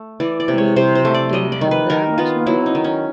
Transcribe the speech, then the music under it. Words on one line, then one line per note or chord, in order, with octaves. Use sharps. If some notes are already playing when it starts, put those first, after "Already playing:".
we didn't have that much money,
Already playing: A3
E3 D5
D5
C3
C#5
C3 C5
C5
A3
D5
G3 D#5
D5
D#3
B4
D#3 A#4
B3 F4
F#3 E4
D#4
D#3
C#4